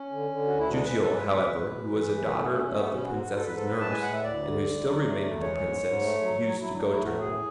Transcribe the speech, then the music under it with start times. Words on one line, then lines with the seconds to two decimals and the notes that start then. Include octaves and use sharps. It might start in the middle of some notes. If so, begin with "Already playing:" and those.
Jijiu, however, who was a daughter of the Princess's nurse, and who still remained with the Princess, used to go to her.
Already playing: C#4
0.11 D3
0.30 D3
0.47 D2 F#4
0.58 E4
0.70 G#3 D4
0.85 G#3 B4
1.00 A4
1.09 G#3
1.14 B4
1.29 B2 B4
1.49 B2
1.68 G#3
1.88 E3
2.08 F#2
2.27 A3
2.39 B3
2.47 A3 C#4
2.55 D4
2.61 C#4
2.66 A3
2.76 B3
2.87 B2 C#4
3.06 G#2 F#4
3.26 G#2
3.35 A4
3.45 G#2 B4
3.55 A4
3.65 A2 B4
3.80 G#3 A5
3.91 G#5
4.02 A2 F#5
4.13 E5
4.24 D2 D5
4.43 D3
4.63 D2
4.83 F#3
5.02 A3
5.22 E2
5.41 G#3 C#5
5.61 G#2
5.81 G#2
6.01 A3
6.21 F#3
6.40 F#3
6.60 F#3 E4
6.75 A3 D4
6.89 E4
6.99 A2
7.04 F#4
7.19 F#2 G#4